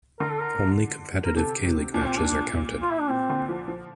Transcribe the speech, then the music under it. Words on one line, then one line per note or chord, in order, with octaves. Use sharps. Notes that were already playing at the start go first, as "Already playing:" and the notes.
Only competitive K-League matches are counted.
D3 A#4
A4
A#4
A#4
C3 A4
C3
A#2 D4
C4
D4
F4
E4
D4
A#2 C4
D3
F3
F3